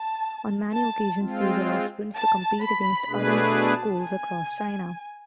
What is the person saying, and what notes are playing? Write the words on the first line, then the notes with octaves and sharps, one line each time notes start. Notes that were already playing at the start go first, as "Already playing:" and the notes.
On many occasions, these allow students to compete against other schools across China.
Already playing: A5
A5
G#3 C4 F4
A5
B5
B2 A3 D4 G#4 B4
A5
G#5